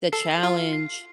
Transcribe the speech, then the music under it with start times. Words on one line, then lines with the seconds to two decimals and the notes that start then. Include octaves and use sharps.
The challenge.
0.12 A4 C7
0.43 F4 F6
0.73 C7